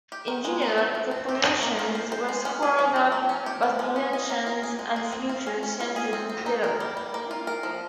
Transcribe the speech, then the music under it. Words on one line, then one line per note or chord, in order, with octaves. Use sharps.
In general, proportions were squared up but dimensions and features changed little.
G4
D#3
G#3
D#4
F3
F3
C4
G4
D#5
A#3
F4
C5
C5
G#3
C#4
G#4
F3
F3
A#3
C#4
G4
F3
G#3
C#4
D#5
A#3
F4
G#4
G#3
G#3
C4
F4
C#4
C#4
F4
G#4
C4
C4
D#4
A#4
G3
G3
A#3
F4
A#4
F3